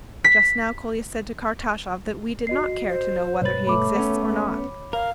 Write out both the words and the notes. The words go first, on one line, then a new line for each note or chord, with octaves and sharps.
Just now Kolya said to Kartashov that we did not care to know whether he exists or not.
B6
F#4 D#5 C7
C5
B1 G2 B4 C#5 A6
A3 C#5 B5 D6
B3 C#4
A#4 F5